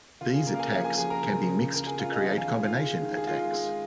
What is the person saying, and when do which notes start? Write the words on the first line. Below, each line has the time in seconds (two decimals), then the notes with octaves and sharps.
These attacks can be mixed to create combination attacks.
0.21 C#2 F4
0.34 G#4
0.46 C#3 A#3 A#4
0.54 F5
0.59 G#4 G#5
0.72 F3 G#4 G#5
0.84 G#4 G#5
0.97 F3 G#4 G#5
1.10 A#4 A#5
1.23 C#2
1.48 C#2
1.74 C#2 A#4 A#5
1.87 G#4 G#5
1.99 C#3 F4 F5
2.12 D#4 D#5
2.25 D#2 F4 F5
2.38 G#4 G#5
2.50 D#2 G#4 G#5
2.63 F4 F5
2.76 G#3 G#4
3.02 D#3
3.17 G#4
3.27 G#3 F4
3.52 G#3